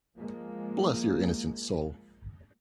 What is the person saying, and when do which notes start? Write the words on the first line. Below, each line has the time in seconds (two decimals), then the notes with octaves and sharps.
Bless your innocent soul!
0.17 F3 G#3 A#3